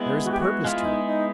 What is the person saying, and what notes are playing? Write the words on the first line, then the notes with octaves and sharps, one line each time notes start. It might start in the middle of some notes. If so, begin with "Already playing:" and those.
There is a purpose to it.
Already playing: G#3 B3 E4 G#4
F#4
G4
F#4
G#3 B3 E4 F4 G#4
D#4
D#4